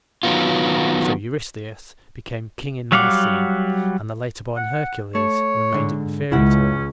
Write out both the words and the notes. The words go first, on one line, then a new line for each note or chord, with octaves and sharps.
So Eurystheus became king in Mycene, and the later-born Hercules remained inferior to him.
D#3 F#3 B3 F4
F#3 G3 F5 F#5 D6
F#5
A3 C#5
G#2 D3
C#2 C#4 E4 F#5